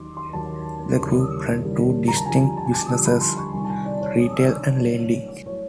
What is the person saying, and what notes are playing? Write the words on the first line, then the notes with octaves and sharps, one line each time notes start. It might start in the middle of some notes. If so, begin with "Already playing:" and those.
The group ran two distinct businesses: retail and lending.
Already playing: D#2 D#3 F#3 C6 D6
C6
D#2 D#3 F#3 A5
D#2 C#3 E3 G3
D#2 C#3 E3 G3
A#5
A5
F2 D3 G3 G#5
A5
G#5
A5
F2 D3 G3 A5
B5
C6
C#6
C2 C3 D#3 G3 G#5
A5
G#5
D5
C#5
C2 C3 D#3 G3
A2 F#3
A2 F#3 C#5